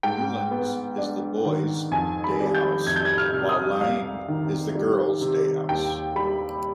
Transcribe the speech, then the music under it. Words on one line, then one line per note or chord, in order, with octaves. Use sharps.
Newlands is the boys' day house, while Laing is the girls' day house.
G#2 G5
B3
D4
D#3
F2 G#5
B5
G3
G6
F2 G#6
G6
G#6
F6
C3
D#6
C2 F5
D#3
G3
C3
D#2 G5
G3 B5